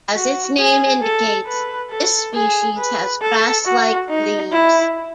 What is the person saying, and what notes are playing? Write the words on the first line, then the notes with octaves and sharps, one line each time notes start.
As its name indicates, this species has grass-like leaves.
F#4
G#4
A4
B4
A4
G#4
B4
A4
F#4
D#4
E4